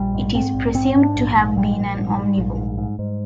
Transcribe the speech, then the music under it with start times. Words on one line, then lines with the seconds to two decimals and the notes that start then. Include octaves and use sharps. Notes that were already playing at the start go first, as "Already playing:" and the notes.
It is presumed to have been an omnivore.
Already playing: A#1 G3
0.15 G#2
0.34 G#2 C4
0.54 A#1
0.75 G#2 C4
0.96 G#2
1.02 D4
1.16 A#1
1.36 G#2
1.56 A#1 G3
1.76 A#1
1.97 G#2
2.17 G#2
2.38 A#1
2.58 G#2
2.78 G#2
2.99 G#2